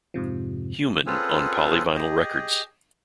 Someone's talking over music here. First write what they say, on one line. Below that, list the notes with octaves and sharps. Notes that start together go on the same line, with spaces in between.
Human on Polyvinyl Records.
F2 G#2 C3 F3
C4 C#4 F4 G#4 A4 B4
G4 G#4 D#5